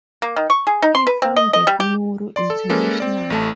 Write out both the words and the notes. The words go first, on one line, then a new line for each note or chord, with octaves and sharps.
He founded Nuru International.
A#3
D#3
C#6
G#4
D#4
C6
B4
C4
D#5
D#5
G3
G4
D5 C6
A4
G#3 A#3 C#4 A4 B4
C4 D5
A1 A3 A5